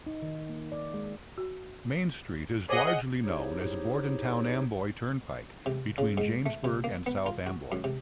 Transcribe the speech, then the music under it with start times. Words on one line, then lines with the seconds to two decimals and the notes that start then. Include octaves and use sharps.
Main Street is largely known as Bordentown-Amboy Turnpike between Jamesburg and South Amboy.
0.06 D#4
0.22 D#3
0.49 A#3
0.72 D5
0.94 G#3
1.38 F#4
2.69 G#4 C5 C#5 D#5 F#5 D6
3.24 D#4 E4 G4 G#4 C5 C#5
5.66 C3
5.98 C#3
6.18 G#2
6.46 A3
6.64 C3
6.84 A#3
7.06 B3
7.26 F4
7.47 F#4
7.72 F#2
7.84 C3